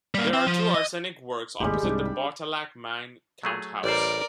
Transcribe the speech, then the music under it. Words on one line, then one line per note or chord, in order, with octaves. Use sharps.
There are two arsenic works opposite the Botallack Mine count house.
G3 A#3
C4
F3
D#5
G#1 D#2 A2 G3 G#3 G4
C2 G#2 D4 D5
B5
F#3 A3 G#4
A1 G3 A#4 C5 D5